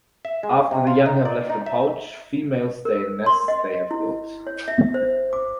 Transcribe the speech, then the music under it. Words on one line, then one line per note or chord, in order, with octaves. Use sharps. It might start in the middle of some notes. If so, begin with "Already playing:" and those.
After the young have left the pouch, females stay in nests they have built.
E5
G#3
C3
F4
D#4
D5
D#4
E5
A#4
C6
D#5
E4
C#5
E5
C5
D6